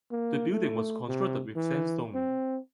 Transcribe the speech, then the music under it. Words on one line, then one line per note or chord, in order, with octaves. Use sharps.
The building was constructed with sandstone.
A#3
A3
C3
E3
C4